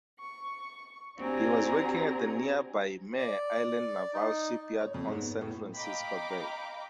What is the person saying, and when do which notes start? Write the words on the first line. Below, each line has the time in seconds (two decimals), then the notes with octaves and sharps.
He was working at the nearby Mare Island Naval Shipyard on San Francisco Bay.
0.19 C#6
1.19 C4 D4 F#4 G4 G#5 A#5
3.18 D5
4.14 D#4
4.80 C#5
4.94 F2
5.08 G#2
5.21 B3
5.41 A2
5.76 D#5 F5 G5 A#5 B5 D6